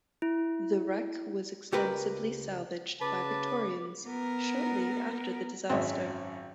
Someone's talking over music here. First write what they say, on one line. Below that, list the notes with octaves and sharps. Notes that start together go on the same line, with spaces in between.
The wreck was extensively salvaged by Victorians shortly after the disaster.
E4
C#2 G4 A#4 B4
C#3 B4 A5 D6
B3 A#4
G#1 F#2 G#3 C4 C#4 E5